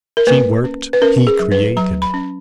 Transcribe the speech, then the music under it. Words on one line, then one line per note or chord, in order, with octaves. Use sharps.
She worked; he created.
A#4
A#3 B4
C#4
B4
C#4 A#4
G#4
F#3
B4
F#3 A#5
B5
C#4